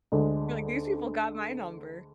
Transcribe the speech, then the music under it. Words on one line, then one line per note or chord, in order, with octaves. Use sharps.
You were like, "These people got my number."
D2 D3 G#3